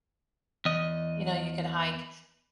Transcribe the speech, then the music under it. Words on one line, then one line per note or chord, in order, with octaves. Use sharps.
you know, you could hike.
E2 D#5